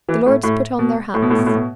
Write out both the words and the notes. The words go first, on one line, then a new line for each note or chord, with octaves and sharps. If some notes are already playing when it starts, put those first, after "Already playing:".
The lords put on their hats.
E3
A2
A2
B2
A2
B2
A2
B2
A2
B2